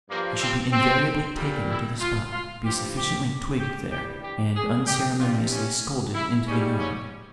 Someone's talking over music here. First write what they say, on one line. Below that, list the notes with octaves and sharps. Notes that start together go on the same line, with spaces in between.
He should be invariably taken to the spot, be sufficiently twigged there, and unceremoniously scolded into the yard.
G2 F3 A#3
C4
C4
A#2 G3
E4
F4
F4
G2 F3 G4
G4
G4
G2 E3 G3 G4
G4
G#4
G4
G2 E3 G3 F4
C#4
E4
G#2 G3 C#4
C#4